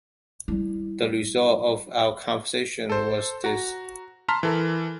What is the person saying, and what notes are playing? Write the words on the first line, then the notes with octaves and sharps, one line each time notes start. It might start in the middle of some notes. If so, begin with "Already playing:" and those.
The result of our conversation was this.
G3 E4
A4 C5
F#4 A#5
A5 A#5 C6 F6 B6
E3 A4 A#4